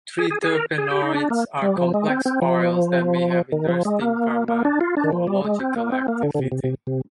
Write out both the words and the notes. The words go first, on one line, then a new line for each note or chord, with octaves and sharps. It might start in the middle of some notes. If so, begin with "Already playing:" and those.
Triterpenoids are complex oils that may have interesting pharmacological activity.
G#4
G#4
G#4
A#4
G#4
G4
D#4
D4
A#3
G3
F3
G#3
C4
C4
F3
D#3
F3
G#3
A#3
A#3
D4
F4
D4
D#3
F3
G3
G#3
C4
A#3
C4
A#3
D3
D3
C3
C3
C3
C3